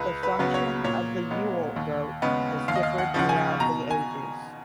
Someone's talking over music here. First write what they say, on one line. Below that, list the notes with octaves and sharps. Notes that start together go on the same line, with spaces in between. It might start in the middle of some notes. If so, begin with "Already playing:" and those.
The function of the Yule goat has differed throughout the ages.
Already playing: C#2 B4
B4
C#3 F#3 B3
C#5
A#2 C#5
G#3 B3
D#2
C#3 G#3 B3
D#2 F5
D#5
F5
F#5
C#3 F3 F#5
G#5
B2 A#5
G#5